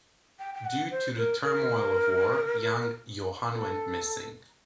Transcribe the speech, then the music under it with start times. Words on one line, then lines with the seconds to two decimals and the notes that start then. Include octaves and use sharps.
Due to the turmoil of war, young Johann went missing.
0.39 G5
0.54 G5
0.65 F#5
0.91 C5
1.17 A#4
1.44 A#4
3.52 A#4
3.55 A4